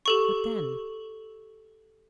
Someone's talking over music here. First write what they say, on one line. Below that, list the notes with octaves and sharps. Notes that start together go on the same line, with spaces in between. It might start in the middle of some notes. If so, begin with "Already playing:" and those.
"What then?"
G4 A4 C#6